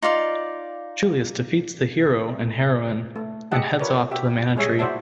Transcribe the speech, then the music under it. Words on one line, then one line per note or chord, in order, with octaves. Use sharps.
Julius defeats the hero and heroine, and heads off to the Mana Tree.
D#4 F4 D5 F5
A3
G4 G#4 D#5 E5 F#5 A5
F4 A#4 B4 C#5 D5
F#4 G4 E5
G3 G#3 G#4 C#5 E5 G#5
E4 F#4 C5 D5 E5 A5